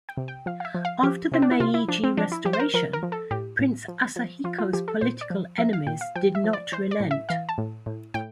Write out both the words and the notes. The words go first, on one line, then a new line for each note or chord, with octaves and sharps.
After the Meiji Restoration, Prince Asahiko's political enemies did not relent.
G5
C3
G5
F3 F5
F5
E5
F3
F5
F3 G4
C3 C4
D4
E4
C3 F4
E4
F3 D4
C4
F3 D4
E4
F3 G4
C5
A#4
F3 A#4
A#4
F3
A4
A2 G4
A2
F3
F3
F3 F4
F4
F3 G4
A4
A#2 C5
D5
F3
F3 E5
F5
A#2 G5
F5
F3 G5
E5
F3
D5
E3 C5
D5
A2
E5
E3 F5
A5
A2
A2
A2 G5